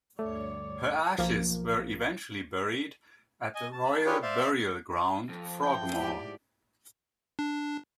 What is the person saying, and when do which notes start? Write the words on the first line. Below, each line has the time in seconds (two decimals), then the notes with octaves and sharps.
Her ashes were eventually buried at the Royal Burial Ground, Frogmore.
0.19 D2 G2 A3 C#5 D5
1.18 B1 F3 A#3
3.55 D#5 G#5
3.72 A5
4.05 D4 F4 G4 G#4 B4 C#5
4.22 C5 D5 E5 F5
5.29 F2
5.63 A2 D3 F3 G5
5.97 G#2 G4 D5
7.39 D4